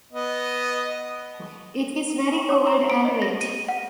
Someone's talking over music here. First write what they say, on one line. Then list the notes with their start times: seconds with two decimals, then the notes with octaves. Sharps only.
It is very cold and wet.
0.12 B3 D#5
2.49 C#5
2.67 A#5
2.90 D7
3.05 D#5
3.22 A#6
3.41 D#7
3.69 F#5